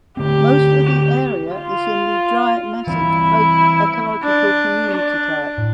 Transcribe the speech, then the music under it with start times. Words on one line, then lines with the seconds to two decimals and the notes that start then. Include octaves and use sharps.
Most of the area is in the Dry Mesic Oak ecological community type.
0.17 D3 A3 C4 G4
0.85 G4
1.52 F4
2.87 E3 G3 C4 E4
4.23 D4
4.91 D4
5.58 A2